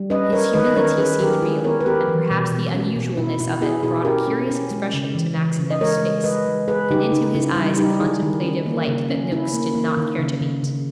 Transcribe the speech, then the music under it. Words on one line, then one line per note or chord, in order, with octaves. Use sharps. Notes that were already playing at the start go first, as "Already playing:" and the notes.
His humility seemed real, and perhaps the unusualness of it brought a curious expression to Maxineff's face, and into his eyes a contemplative light that Noakes did not care to meet.
Already playing: G3
C#4 B4 D#5
C#4 A#4 C#5
D#3 B4 D#5
C#4 A#4 C#5
C#4 G#4 B4
D#3 G4 A#4
G#3 E4 G#4
B3 A#4 C#5
B4
B3 G4 A#4
E3
B2
B2
C#4
B2
B2 E4
B2 E4
B3 E4 G#4
B2 E4 G#4
C#4 G4 A#4
C#4
C#4
G#3
C#3
E3
E3
C#3
D#5
G#3 A#4 C#5
G#3
G#3 B4 D#5
G#3
G#3 G#4 B4
C#3 D#4 G4
C#3 D#4
C#3 E4
G3 E4
G3 D#4 G4
D#3 E4 G#4
D#3
C#4
A#3
C#3
C#4
C#4 E4
A#3
A#3
D#3
C#3
C#3
C#3